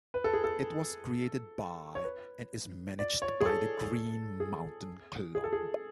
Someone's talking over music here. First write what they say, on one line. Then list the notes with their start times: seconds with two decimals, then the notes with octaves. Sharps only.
It was created by and is managed by the Green Mountain Club.
0.14 B4
0.24 A4
0.33 G#4
0.44 A4
1.95 C#5
2.04 B4
2.99 D5
3.22 C#5
3.41 G#4
3.46 A4
4.40 G#4
5.35 G#4
5.44 A4
5.53 G#4